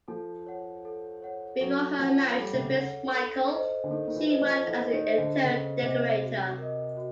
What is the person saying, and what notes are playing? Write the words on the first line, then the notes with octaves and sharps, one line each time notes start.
Before her marriage to Prince Michael, she worked as an interior decorator.
F3 A4
C#5 F#5
A4
C#5 F#5
F#3 A4
F3 C#5 F#5
G3 A4
C3
C#3
C#5 F#5
A4
C5 D#5
D3
D#3 A4
D#3
E3
C5 D#5
F3
E3 A4
D#3
C5 D#5
D3
C#3 A4
C3 C5 D#5
F#4
A#4 D#5
F#4